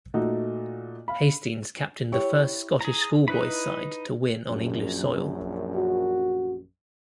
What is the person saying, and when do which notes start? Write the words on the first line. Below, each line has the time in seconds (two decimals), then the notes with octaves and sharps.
Hastings captained the first Scottish schoolboys' side to win on English soil.
0.14 A#2 A3 D#4 F#4
1.08 F5 B5
2.12 E4 G4 C#5
2.81 G#4 A#5
3.28 D#4 E4 B4 B5
4.47 A#1 F#2
5.75 F#4